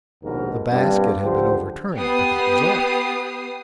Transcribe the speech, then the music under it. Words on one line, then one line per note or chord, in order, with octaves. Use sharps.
The basket had been overturned, but that was all.
A#1 D#2 G#2 B2 A#4
G2 A#2 B3 C4
C#2 D3 F3 G4 C5
B3 G4 B4 D#6 C7